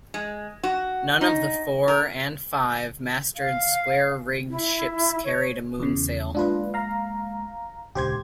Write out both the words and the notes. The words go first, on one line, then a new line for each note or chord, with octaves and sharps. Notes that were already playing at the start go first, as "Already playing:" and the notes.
None of the four- and five-masted square rigged ships carried a moonsail.
G#3
F#4
D#4
A#4
F5
E4
C#5
E2 C#3
G#3 A#3 D4 F4 B4
F5 A#5
D#1 C#2 D3 G4 C5 G#6